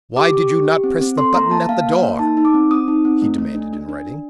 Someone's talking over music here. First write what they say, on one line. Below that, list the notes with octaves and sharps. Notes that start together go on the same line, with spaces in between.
"Why did you not press the button at the door?" he demanded in writing.
G4 D6
G4
G4
G4
C4
C4
A4 C6
A#3 A#5
A#3 A5
A#3 F5
A#3
A#3
D#4 A5
D#4
D6
C4
C4 D#6
D#4
C4
A3
A3
D4
D4
D4
D4